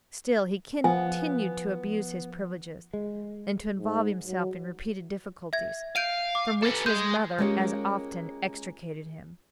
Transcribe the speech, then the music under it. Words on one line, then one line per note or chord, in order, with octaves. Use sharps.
Still he continued to abuse his privileges, and to involve himself in repeated difficulties, from which his mother as often extricated him.
F3 B3 G#5
G#3
G#2
F#3
E5 G#6
F5 G6 D7 D#7
D6
A4 B4
G#3 G6
G#3 A#3 C#4 F4 G4 C#5